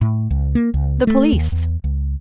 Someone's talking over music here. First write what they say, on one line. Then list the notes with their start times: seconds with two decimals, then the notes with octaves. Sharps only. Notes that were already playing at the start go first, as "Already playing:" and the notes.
"The police."
0.01 A2
0.31 C#2
0.55 A#3
0.74 C#2
1.07 A3
1.33 D#2
1.52 E2
1.84 C#2